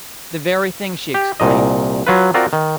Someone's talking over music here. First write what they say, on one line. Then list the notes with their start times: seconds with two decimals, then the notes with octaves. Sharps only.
"The very thing," she exclaimed.
1.14 G4
1.40 C2 A#2 D#5
2.07 F#3 F4 B4
2.34 C4 F4 F#4 A#4 D5
2.53 D#3